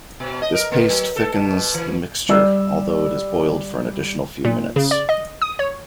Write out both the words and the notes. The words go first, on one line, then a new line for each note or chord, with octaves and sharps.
This paste thickens the mixture, although it is boiled for an additional few minutes.
B2
D#5
A#4
A#3
F#3
A4
B2
E3
G3 D5 E6
A#2
C#3
D5
D#5
D#6
C#5